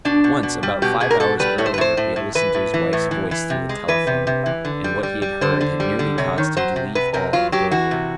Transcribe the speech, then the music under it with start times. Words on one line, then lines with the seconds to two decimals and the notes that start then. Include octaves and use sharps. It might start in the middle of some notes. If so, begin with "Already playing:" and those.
Once, about five hours earlier, he had listened to his wife's voice through the telephone, and what he had heard had nearly caused him to leave all and go to her.
0.05 B2 D4
0.24 B2
0.43 B2
0.63 G3
0.82 B2 G4
1.00 B2 G#4
1.11 A#4
1.20 B2 A4
1.40 G3 B4
1.58 A2 C#5
1.66 C5
1.74 B4
1.78 A2 C5
1.97 A2
2.16 A2
2.35 E3 B4
2.54 A2
2.74 E3
2.93 A2
3.11 E3
3.31 E3
3.50 C3
3.69 G#3
3.88 E3 B4
4.07 C3
4.27 C3
4.46 E3
4.65 D3
4.84 G3
5.03 G3
5.22 G3
5.41 D3 C5
5.61 D3
5.80 G3
5.99 D3
6.18 C3 C#5
6.38 D#3
6.57 F#3 C5
6.76 C3
6.95 C3 B4
7.14 C3 A#4
7.33 F#3 F4
7.52 F#3 G4
7.71 E3 F#4
7.91 C3